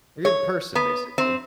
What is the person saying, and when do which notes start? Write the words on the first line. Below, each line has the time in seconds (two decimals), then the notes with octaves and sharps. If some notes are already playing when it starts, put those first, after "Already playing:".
A good person, basically.
0.25 C#5
0.75 B3
1.18 C4